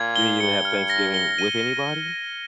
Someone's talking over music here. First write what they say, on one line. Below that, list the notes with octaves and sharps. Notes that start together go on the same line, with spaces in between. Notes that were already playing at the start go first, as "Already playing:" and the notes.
You mean you didn't have Thanksgiving with anybody?
Already playing: A#2 G#6
G7
G2 C#7
F6
A#6
G7
D#7